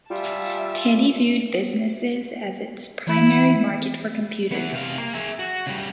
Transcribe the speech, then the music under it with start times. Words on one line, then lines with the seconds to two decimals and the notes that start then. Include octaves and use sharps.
Tandy viewed businesses as its primary market for computers.
0.10 G3 F4 E5 G#5 A5
3.07 E3 E4
4.52 B3 E4
4.73 C3 F5
4.98 A#3
5.13 G#4 E5
5.39 F#4
5.66 C#3 G3